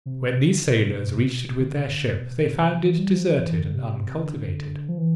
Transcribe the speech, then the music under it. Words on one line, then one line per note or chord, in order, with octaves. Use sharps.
When these sailors, reached it with their ship they found it deserted and uncultivated.
C3
C3
D3
C3
B2
C3
B2
C3
D3
C3
D3
C3
B2
B2
C3
E3
G3
F3
F3
E3
D3
C3
C3
D3
F3
E3